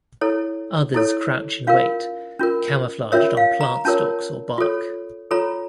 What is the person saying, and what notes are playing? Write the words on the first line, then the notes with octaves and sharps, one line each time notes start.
Others crouch in wait, camouflaged on plant stalks or bark.
E4 A4 C#5
E4 A4 C#5
C#4 F4 A#4 F5
C#4 F4 A#4
C#4 F4 A#4 C#5 E5
F5
A#5
C#4 F4 A#4 C#5 A5
F4 A4 C#5
F4 A4 C#5 A#5